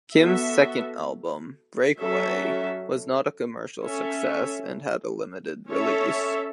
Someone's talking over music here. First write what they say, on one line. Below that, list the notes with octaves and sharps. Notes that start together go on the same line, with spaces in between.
Kim's second album, "Breakaway", was not a commercial success and had a limited release.
B3 F#4 A4 E5
F#3 C#4 A4 E5
C#4 A4 E5
C#4 A4 C#5 E5